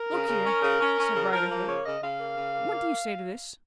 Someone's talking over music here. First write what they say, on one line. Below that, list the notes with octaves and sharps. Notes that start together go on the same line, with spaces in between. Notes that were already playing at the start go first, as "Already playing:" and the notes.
'Look here,' said Riderhood, 'what do you say to this?
Already playing: A#4
C#3
C#3
C#4
C#3
C#4
C#4
C#3
F3 A#4
A#3 A#4
C#3 C#5
C#3 D#5
C#3 F5
A#3
C#3
A#3
A#3